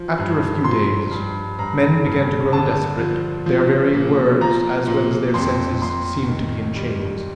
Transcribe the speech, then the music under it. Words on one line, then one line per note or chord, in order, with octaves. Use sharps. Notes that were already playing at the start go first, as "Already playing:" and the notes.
After a few days, men began to grow desperate; their very words as well as their senses seemed to be in chains.
Already playing: F3
G2
F3 C6
G2
G2 A#5
G2
D3 A5
F3
F3
A#2
F3 A#5
A#2
F2 C6
F2 C6
D#3
G3